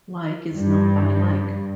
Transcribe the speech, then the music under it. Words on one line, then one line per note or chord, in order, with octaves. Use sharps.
Like is known by like.
G2